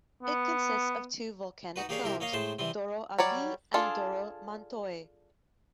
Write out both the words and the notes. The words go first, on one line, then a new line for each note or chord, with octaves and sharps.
It consists of two volcanic cones, Doro Api and Doro Mantoi.
B3
D#4 F#4 B4
A#3 G4 G#4 C#5 D5 F5
C2 C4 E4 G4 A#4
A#3 C#5 D#5 F5
A2 G#3 C5 A5 C6
C3 E3 G3 C4
F#3 G3 C#5 D5
D4 F4 G#4 A4